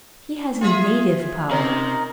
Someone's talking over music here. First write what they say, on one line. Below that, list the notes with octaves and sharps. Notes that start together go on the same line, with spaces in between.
He has native power.
F4 G#4 E5
C3 C#4 D#4 A#4